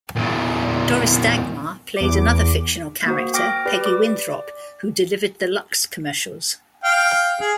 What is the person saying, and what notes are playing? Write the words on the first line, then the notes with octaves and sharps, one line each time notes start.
Doris Dagmar played another fictional character, Peggy Winthrop, who delivered the Lux commercials.
E2 A#2
E2 D6
A#3 F#4 C5
G5 D6 F6 A#6 D7
G4 B4 D5
D5 D6
F5 G5
G#4